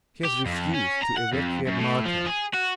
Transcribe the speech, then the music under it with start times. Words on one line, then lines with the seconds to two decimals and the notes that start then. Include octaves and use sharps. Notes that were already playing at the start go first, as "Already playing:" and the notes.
She has refused to evacuate Malta.
0.25 G4
0.46 F2
0.75 C#4
1.04 A#5
1.18 F#5
1.34 F2
1.67 F#2
1.79 A2
2.06 F3
2.27 G#4
2.54 F#4